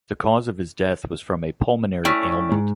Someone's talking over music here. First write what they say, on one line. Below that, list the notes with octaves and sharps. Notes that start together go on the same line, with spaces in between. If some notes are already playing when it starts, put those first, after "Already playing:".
The cause of his death was from a pulmonary ailment.
A3 C#4 E4 D5 G5
G#2